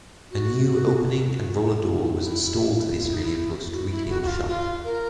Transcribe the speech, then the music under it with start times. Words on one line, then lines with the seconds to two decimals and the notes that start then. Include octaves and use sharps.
A new opening and roller door was installed to the Australia Post retail shop.
0.31 F#4
1.35 F4
1.44 F#4
1.69 F4
1.95 D#4
2.20 E4
2.96 F4
3.05 E4
3.14 D#4
3.23 E4
3.71 F#4
3.90 E4
4.09 F#4
4.22 F#4
4.27 F4
4.47 F4
4.84 A#4